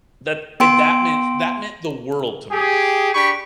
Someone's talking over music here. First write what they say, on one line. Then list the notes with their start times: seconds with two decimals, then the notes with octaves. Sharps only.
That it that meant that meant the world to me.
0.60 B3 G5 C6 D7
2.51 G4 G#4
3.14 D4 G4 B5 C#6